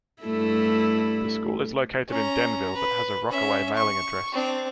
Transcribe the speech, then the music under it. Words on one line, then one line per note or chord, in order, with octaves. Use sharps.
The school is located in Denville but has a Rockaway mailing address.
G2 A3 E4
C#4 A#5
B4
C#4 E5
C#6
C4 D4